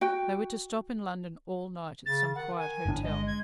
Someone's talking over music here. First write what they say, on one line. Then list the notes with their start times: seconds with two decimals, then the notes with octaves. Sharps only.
They were to stop in London all night at some quiet hotel.
0.01 F#4 G5
2.06 C#3 A6
2.35 D#3 F#5
2.58 G#5
2.86 G1 A2 D4
3.03 G#3 D#5
3.27 G#6